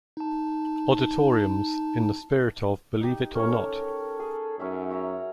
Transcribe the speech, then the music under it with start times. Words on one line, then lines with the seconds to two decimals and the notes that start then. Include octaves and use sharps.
Odditoriums, in the spirit of Believe It or Not!
0.17 D#4 A5
3.01 D#4 G4
3.35 C#4 A4 A#4 C#5
4.20 G#4
4.59 F#2 C#4 D#4 E5
4.91 F#4 E5 A#5